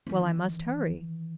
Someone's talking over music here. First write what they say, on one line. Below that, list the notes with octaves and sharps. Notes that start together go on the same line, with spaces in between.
Well, I must hurry.
D#3 E3